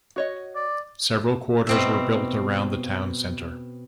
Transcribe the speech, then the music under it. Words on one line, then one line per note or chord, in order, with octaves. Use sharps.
Several quarters were built around the town centre.
F#4 C#5 D#5
D5
B2 C4 E5